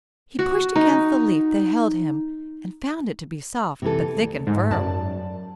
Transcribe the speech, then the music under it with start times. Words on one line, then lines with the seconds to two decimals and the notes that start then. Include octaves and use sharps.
He pushed against the leaf that held him and found it to be soft, but thick and firm.
0.39 F#4
0.76 D#4
3.82 C3 E3 A4
4.15 D2
4.47 G#2
4.71 F#2 D5 A5